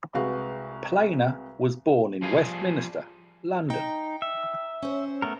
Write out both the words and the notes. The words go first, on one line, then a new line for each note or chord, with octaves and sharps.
Planer was born in Westminster, London.
C2 G#3 F#4 B4 F5
F3 G3 G#4 F5
D#4 G5
E5
C#4 C5
A3 B3 A#4